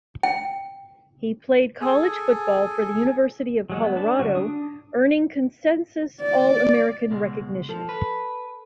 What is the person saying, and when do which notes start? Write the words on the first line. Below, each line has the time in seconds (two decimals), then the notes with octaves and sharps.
He played college football for the University of Colorado, earning consensus All-American recognition.
0.23 G5
1.81 G#4 A4 G#5
3.70 F#3 G#3 F#4
3.84 B3
3.96 D4 A5
4.19 D3 G3 C#4 F#4
4.35 D4 D#6
6.21 D5
7.11 C#2 B2 G#3
7.69 F3 A4
7.89 B4